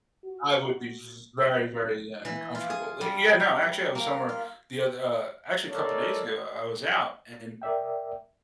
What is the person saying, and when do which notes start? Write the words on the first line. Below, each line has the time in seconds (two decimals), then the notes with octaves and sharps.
I would be very, very uncomfortable. Li yeah, no, actually I was somewhere the other, uh actually a couple of days ago, I was out and
0.24 F#4
2.25 E3
2.55 F4
2.70 G#4
3.01 G3
3.40 A#5
3.95 A#3
4.29 F4
5.69 D#4 A4 A#4 C#5 D5 F5
7.62 A#4 D5 E5 G5